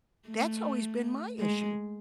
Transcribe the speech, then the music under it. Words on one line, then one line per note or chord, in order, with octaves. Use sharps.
that's always been my issue.
A3
G#3